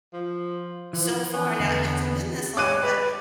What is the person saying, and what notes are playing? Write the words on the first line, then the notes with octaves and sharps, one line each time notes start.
so far. Now it hasn't been this long, but
F3
E3 F3
B3
E2 D3
B3
C#5 D6 F#6 D#7
B4